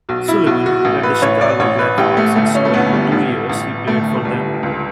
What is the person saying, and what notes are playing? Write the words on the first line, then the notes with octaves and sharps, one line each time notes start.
Sullivan led the Chicago Blackhawks in scoring the two years he played for them.
B1 F#4
E4
B1 F#4
F#4
A1
B4
A1 C#5
D5
A1 C#5
B4
A1 G4
A3
G1 A3
C#4
A3
G1 B3
G3
A1
A1
G1 A3
A3
G1 G3
C#2